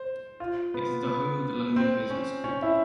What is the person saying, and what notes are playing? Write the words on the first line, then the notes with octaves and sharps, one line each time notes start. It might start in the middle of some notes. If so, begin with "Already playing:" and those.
It is the home of the London Business School.
Already playing: C5
F4
B3
B3
C4
C#4
C#4
E4